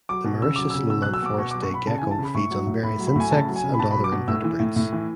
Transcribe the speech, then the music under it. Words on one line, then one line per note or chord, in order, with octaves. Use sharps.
The Mauritius lowland forest day gecko feeds on various insects and other invertebrates.
F#3 D6
B2
C#3 E6
F#3 D6
C#3 E6
B2 E6
F#6
F#3
E6
B2 D6
B2 C#6
F#3 D6
C#6
B2 B5
C#3 A5
G#5
E3
A5
C#3 B5
A2 C#6
F#3
A2
A2 B5
F#3
B5
A2 G#5
C#3 A5
F#3
G#5
C#3
B5
B2 A5
B5
F#3
D6
B2
A2 E6
E3
A2
A2
E3